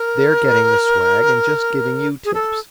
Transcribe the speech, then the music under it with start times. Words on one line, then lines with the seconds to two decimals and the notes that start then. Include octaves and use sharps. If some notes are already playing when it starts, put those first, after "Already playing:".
They're getting the swag, and just giving you tips.
Already playing: A#4
2.25 G#4
2.34 A4